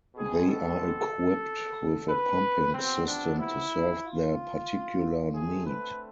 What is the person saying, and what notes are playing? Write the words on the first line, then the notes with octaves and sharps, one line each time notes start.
They are equipped with a pumping system to serve their particular need.
B2 G#3 C4 G#4
A4
B4
C3 F3 B3 C4
D4
E4
F4
D3 A3 C4 G#4
B4